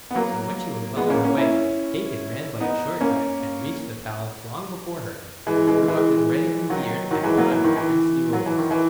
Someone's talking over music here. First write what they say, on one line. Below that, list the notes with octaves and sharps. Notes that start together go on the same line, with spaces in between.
So when she was well on her way, Hacon ran by a short cut and reached the palace long before her, and threw off his rags and beard, and put on his princely robes.
B3
F#3 A#3
G#3 B3
A#3 C#4
A#3 C#4
C#4 E4
B3 D#4
A#3 C#4
E3 G#3
E3 G#3
E3 G#3
D#3 F#3
D#3 F#3
E3 G#3
F#3 A#3
E3
D#3
E3
F#3
E3
D#3
E3